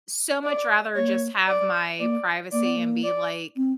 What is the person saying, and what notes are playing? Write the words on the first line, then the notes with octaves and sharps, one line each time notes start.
so much rather just have my privacy and be, like,
D5
A#3 C#5
D5
A#3 D5
A#3 D5
B3
A#3
D5
C4